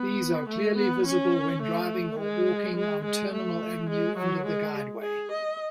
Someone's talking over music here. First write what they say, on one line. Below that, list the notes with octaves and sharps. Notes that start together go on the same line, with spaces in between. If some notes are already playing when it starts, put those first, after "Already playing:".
These are clearly visible when driving or walking on Terminal Avenue under the guideway.
Already playing: B3
A3
B3
C#4
A3
G#3
G#3
G#3
A3
G#3
F#3
G#3
G#4
D#5